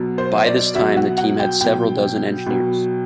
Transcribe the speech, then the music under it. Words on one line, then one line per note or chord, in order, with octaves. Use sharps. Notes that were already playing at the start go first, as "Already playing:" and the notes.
By this time, the team had several dozen engineers.
Already playing: B2 F#3
C5
D5
B2 F#3 E5
F#5
F#5
G5
B2 F#3 G5
B2 F#3